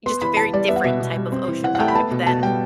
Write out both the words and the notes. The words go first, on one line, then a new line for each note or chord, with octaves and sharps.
just a very different type of ocean vibe than
B3 C6
E3 B5
E3 A5
G3 D5
B3 E5
F#5
B2 E5
B2
G3
C4
E3
E3 F#5
F#5
A3 G5
B5
B3 A5
B2
B2 A5
G3 G5